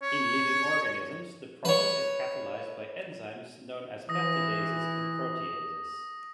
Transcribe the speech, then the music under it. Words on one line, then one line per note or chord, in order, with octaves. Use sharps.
In living organisms, the process is catalyzed by enzymes known as peptidases or proteases.
C#5
B4 C#5
E3 D#6 A#6